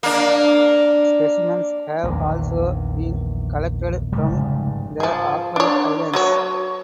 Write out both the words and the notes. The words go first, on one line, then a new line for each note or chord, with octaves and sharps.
Specimens have also been collected from the Auckland Islands.
A#3 D4
A#1 E2 D#3 E3
F1 G#2 C#3 G3
F3 G#4
D4 C#5
F#3 F#4 C#5